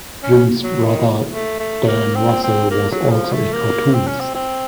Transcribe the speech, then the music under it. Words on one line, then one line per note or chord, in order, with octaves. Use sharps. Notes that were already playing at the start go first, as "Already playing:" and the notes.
Jim's brother Dan Russell was also a cartoonist.
C#4
F#3
D#3
A3
A3
A#3
C4
C4
A#3
F#3
F3
A3
A#3
C4
C#4
C4
C4